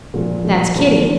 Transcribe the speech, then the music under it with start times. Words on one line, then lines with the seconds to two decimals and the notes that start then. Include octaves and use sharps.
"That's Kitty."
0.14 A#2 F3 A3
0.44 A#2 F3 A3
0.75 A#2 F3 A3